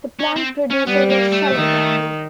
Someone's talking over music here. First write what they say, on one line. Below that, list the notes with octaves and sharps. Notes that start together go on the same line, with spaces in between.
The plant produces a shallow taproot.
C#4
C4
C#4
G3 B3
A#3
A3
D#3